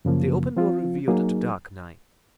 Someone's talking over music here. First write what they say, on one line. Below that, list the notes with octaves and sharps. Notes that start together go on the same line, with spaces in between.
The open door revealed the dark night.
F#2 C#3 F3 A#3
F3 C4 F4
F#3 A#3 D#4 G#4